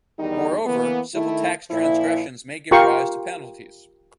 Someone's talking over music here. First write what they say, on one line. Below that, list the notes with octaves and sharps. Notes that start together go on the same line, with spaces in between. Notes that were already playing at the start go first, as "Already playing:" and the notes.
Moreover, civil tax transgressions may give rise to penalties.
E2 D#3 G3 D#4
E3 A#3 B3
D#3 A3 E4
A#2 F3 E4
F4 G4 A#4 G5 C6 C#6